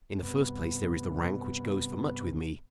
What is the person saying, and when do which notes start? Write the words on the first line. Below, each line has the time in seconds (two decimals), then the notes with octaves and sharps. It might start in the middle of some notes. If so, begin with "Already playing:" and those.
In the first place there is the rank which goes for much with me.
0.23 G2 C3 B3